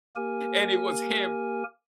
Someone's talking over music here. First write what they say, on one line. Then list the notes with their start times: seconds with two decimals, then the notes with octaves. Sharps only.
And it was him.
0.16 A#3 G4 A#4 G#5